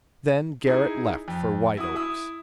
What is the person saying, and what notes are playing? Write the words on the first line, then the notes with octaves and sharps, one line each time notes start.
Then Garrett left for White Oaks.
D#4 E4 G#4
F2
E4 F#4 D#6
E4 D#6 E6